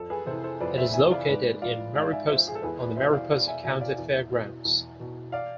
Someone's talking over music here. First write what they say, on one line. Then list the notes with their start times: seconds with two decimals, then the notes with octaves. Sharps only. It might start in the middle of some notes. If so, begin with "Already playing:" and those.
It is located in Mariposa on the Mariposa County fairgrounds.
Already playing: F2 A4
0.10 G#4 B4
0.26 C3 E3 A4 C5
0.43 A4 C5
0.60 F2 B4 D5
0.77 C5 E5
0.93 C3 E3 E5 G#5
1.11 D5 F5
1.28 G#2 B4 D5
1.62 F3 D5 F5
1.95 G#2 D5 F5
2.12 E5 G#5
2.28 F3 C5 E5
2.48 G#4
2.55 A4
2.62 E2 G#4 B4
2.80 B4 D5
2.96 B2 C5 E5
3.13 D5 F5
3.30 E2 D5 F5
3.48 E5 G#5
3.64 B2 E5 G#5
3.81 D5 F5
3.98 E2
4.31 B2
4.65 E2
5.00 B2
5.32 D5 F5